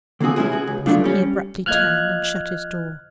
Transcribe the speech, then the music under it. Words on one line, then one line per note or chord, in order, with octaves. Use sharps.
Then he abruptly turned and shut his door.
D3 A#3 C4 F#4 G#4
B2 G#3 C#4 E4 F#4 G#4
F#4 G#4
C#2
G2 D3 F3 A3 D4 F4
G3 C#4
F3 A#3 D#5 F6 F#6 G#6